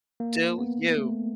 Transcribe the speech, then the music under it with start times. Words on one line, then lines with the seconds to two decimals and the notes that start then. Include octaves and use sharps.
do you.
0.20 A#3
0.58 B3
0.98 A3